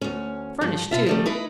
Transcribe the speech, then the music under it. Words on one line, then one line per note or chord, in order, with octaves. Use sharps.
Furnished, too.
D2 C#4
G2 F3
B2 F4 E5
F3 G3 A3
D#4 E4 B4